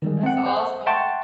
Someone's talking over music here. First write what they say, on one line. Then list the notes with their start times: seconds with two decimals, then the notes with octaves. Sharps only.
That's awesome.
0.02 D#3 G3 G#3
0.23 C4 F#5
0.46 C5 F#5
0.86 E5 F#5 G5 A5 C6 C#6